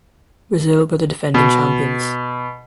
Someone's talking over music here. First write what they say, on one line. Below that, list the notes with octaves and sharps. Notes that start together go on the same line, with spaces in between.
Brazil were the defending champions.
B2